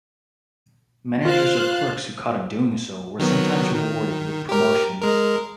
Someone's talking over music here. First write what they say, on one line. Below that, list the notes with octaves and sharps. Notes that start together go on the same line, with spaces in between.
Managers or clerks who caught him doing so were sometimes rewarded with promotions.
F4 C5 F5 F#6
D#3 F#3 B3
D#3
G4 A#4
G#3 A#4